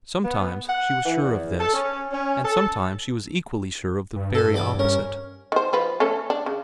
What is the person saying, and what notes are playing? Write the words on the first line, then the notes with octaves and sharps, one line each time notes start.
Sometimes she was sure of this, and sometimes she was equally sure of the very opposite.
B3
F#5
E3
E2
A4
C#4
C#4
A4
G2
A4 G#5
E2 B5 D6
C#4 A#4
D#3 C5
F3 B4
A3 C#4 A4
D4
C#3